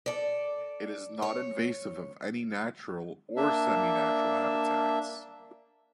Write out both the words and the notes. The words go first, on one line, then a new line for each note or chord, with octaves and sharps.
It is not invasive of any natural or seminatural habitats.
A4 D5
C#5
A#3 D4 E5